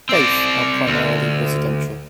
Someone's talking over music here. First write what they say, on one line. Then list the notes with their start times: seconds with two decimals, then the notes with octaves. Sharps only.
Both are primarily residential.
0.09 C4 D5
0.87 D2